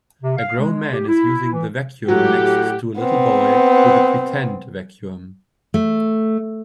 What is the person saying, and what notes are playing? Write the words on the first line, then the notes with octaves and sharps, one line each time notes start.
A grown man is using the vacuum next to a little boy with a pretend vacuum.
C3
F5
G#3
G4
E4
E3
A2 F#3 G4 F#5
B3 C4
A3